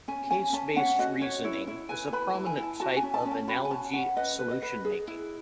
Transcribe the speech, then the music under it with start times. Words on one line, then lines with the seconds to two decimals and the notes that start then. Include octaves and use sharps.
Case-based reasoning is a prominent type of analogy solution making.
0.08 C#4 G#5
0.30 C#4 G#5
0.53 C#4 A5
0.76 C#4 F#5
0.99 F#4 D#5
1.21 C#4 C#5
1.44 E4 C#5
1.67 E4
1.89 B4 G#5
2.12 B4 B5
2.29 E4 A5
2.46 G#5
2.57 E4
2.63 A5
2.80 F#4 A5
2.97 G#5
3.03 C#4
3.14 A5
3.25 C#4
3.31 A5
3.48 F#4 B5
3.65 G#5
3.71 C#4 A5
3.93 C#4 F#5
4.17 B4 D#5
4.39 B4
4.51 D#5
4.62 B4
4.85 G#4
5.08 E4